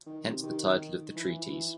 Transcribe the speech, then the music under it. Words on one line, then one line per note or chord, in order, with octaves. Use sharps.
Hence the title of the treatise.
D#3
C3
D#3
E3
E3